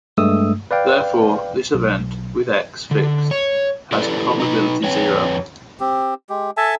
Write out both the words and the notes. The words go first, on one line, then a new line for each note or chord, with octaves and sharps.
Therefore, this event, with "x" fixed, has probability zero.
G2 G#3 A3 D#6 E6
B4 D5 F5 G5
B1
D3
C#5
E4 G4 A4 B4 D5
D#4 B4
F2 B4 C#5 G5
C4 G4
G#3 G4
A4 E5 G#5 A5